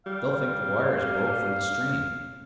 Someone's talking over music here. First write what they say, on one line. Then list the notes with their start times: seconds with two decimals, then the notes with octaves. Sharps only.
They'll think the wires broke from the strain.
0.06 G3 F5